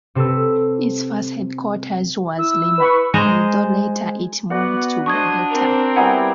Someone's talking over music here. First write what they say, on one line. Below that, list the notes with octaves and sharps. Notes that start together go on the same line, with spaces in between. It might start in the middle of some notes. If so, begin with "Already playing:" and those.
Its first headquarters was Lima, although later it moved to Bogota.
C3 C4 A4 B4 E6
E4 E6
B4 B5 C#6
G#3 C5 A#5
B3 F#4 D5 F#5
D4 C5 D#5 C#6 D#6 G#6
C4 A#4
G3 B3 E4 F#5 G#5 A#5